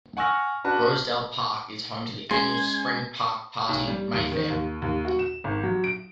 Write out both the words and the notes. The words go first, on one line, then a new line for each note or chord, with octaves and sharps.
Rosedale Park is home to the annual spring park party, Mayfair.
F#5 G#5 C#6 E6 F6 A#6
D4 F#4 B4 A5
G#3 C#4 G#4 C6 G#6
B1
G3
D#2
D#3
D#2
D#2
F#4
E7
G#1
F#3
D7